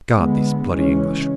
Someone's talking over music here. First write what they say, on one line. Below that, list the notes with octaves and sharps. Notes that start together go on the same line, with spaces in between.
God, these bloody English!
D3 G#3 B3
C#3 E3 G#3 C#4